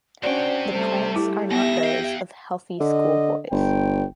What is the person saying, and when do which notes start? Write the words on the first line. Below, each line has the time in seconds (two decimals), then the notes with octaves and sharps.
The pranks are not those of healthy schoolboys.
0.23 C3 C#4 D4 F#4 C5 D5 G5
0.70 G3 A3 C5
1.16 E4 G4
1.51 D#3 G3 B3 E5 A#6
1.84 F5 G5
2.80 D3 D#5
3.52 G1 G5